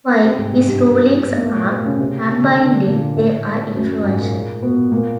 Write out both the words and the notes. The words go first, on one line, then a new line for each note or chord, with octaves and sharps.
While his rulings are nonbinding, they are influential.
C3 C4
G#2 G#3
G#2 G#3
G2 G3
B3
A#3
A3
A#2 A#3
C3 C4
C#3 C#4
C3 C4
C#3 C#4
D3 D4
D3 D4
D3 D4
A#2 A#3
A2 A3
F#2 F#3
G#2 G#3
A#2 A#3
B2 B3
A#2 A#3